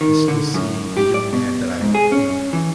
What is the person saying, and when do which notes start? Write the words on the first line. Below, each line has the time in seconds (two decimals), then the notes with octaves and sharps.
and still see the young man that I, you know,
0.01 D#3
0.28 D3
0.54 F#2
0.97 G4
1.14 D5
1.33 B2
1.81 G#2
1.95 G#4
2.12 C#4
2.53 E3